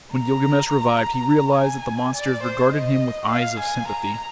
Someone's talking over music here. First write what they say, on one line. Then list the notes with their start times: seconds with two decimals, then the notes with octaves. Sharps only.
When Gilgamesh revived, he realized that the monsters regarded him with eyes of sympathy.
0.12 A#5
1.57 G#5
2.15 D5
2.44 C5
2.73 D#5
3.30 F5
3.60 G#5
3.88 A#5